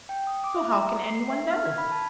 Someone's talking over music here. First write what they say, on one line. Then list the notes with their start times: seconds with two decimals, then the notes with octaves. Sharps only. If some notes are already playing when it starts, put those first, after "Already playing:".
So how can any one know?
0.09 G5
0.27 D#6
0.44 D6
0.57 E5
0.71 A#5
1.06 C7
1.30 E5
1.50 F6
1.65 G#6
1.78 B5
1.91 A5